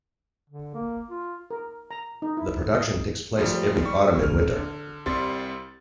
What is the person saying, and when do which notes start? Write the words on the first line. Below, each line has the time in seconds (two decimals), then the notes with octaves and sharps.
The production takes place every autumn and winter.
0.50 D3
0.74 A#3
1.10 F4
1.51 A#4
1.91 A#5
2.22 D#4
2.37 E4
2.76 D#5
3.37 F#2 F3 G3 A3
3.83 G3 C#6
4.23 F6
4.56 D3
5.06 C2 G3 C4 C6 A6